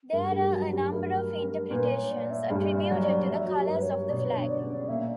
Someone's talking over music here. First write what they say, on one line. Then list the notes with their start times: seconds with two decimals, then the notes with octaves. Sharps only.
There are a number of interpretations attributed to the colours of the flag.
0.12 G2 G3 A#4
0.32 G2 G3 G4
0.52 F#3 F#4
0.72 G2 G3 G4
0.92 G2 G3 A#4
1.71 A#2 A#3 B4
1.91 C#5
2.11 D5
2.31 E5
2.50 G2 G3 D5
2.77 E5
2.82 D5
2.91 F#3
3.03 D5
3.29 F#3 E5
3.48 F#4
3.56 G4
3.65 A#4
3.70 G2 G3 B4
3.82 C#5
4.09 B2 B3 D5
4.17 C#5
4.24 B4
4.32 D3 D4 C#5
4.49 D5
4.62 C#3 C#4
4.88 A#2 A#3 E5